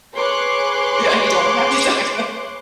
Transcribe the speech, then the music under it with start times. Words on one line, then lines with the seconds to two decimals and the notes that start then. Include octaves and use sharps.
Yeah, you don't have this accent.
0.15 G#4 B4 C#5 C6 D6 F#6